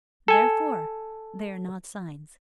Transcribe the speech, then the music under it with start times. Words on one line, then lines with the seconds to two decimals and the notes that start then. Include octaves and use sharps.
Therefore they are not signs.
0.28 A4 G#5